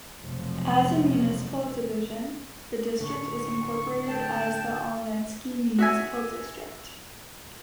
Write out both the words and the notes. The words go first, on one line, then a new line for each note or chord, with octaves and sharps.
As a municipal division, the district is incorporated as Olonetsky Municipal District.
F1 F2 B2 F3 F#3 G#3
A2 D3 C#6
A3 G5 A5
F#4 E5 G#5